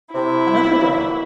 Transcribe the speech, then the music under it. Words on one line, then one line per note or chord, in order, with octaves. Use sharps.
Another Way.
C3 E4
E3 F#3 A#3